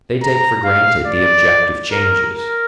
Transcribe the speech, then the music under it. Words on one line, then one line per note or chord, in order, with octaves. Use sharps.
They take for granted the objective changes.
A#5
F5
D5
A#4
A#4